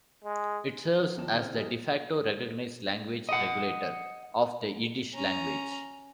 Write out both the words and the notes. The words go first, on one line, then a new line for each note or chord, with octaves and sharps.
It serves as the "de facto" recognized language regulator of the Yiddish language.
G#3
F#3
A#1 D#2 F3 A#4 A5 E7
C#3 E3 C4 C5 F6
E3 A#3 G4 G#4 C5 D#5
D#5 F#5
C#4 A#5